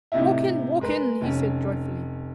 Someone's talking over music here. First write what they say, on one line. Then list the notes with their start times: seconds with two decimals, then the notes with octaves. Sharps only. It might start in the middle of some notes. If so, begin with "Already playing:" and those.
"Walk in, walk in," he said joyfully.
0.12 A2 C3 D#4 E4
0.81 G#3 A#4 B4
1.21 F1 C#4